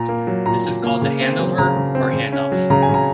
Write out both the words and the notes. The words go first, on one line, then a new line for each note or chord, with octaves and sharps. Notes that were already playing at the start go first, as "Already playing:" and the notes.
This is called the handover or handoff.
Already playing: A#2 A#5
A#3
F#3
A#2 A#5
A#2
A#3
C#3
C4
F#3
C#3 A#5
C#3
C4
C#3
C#4
F#3
C#3 A#5
G#5
C#3 A#5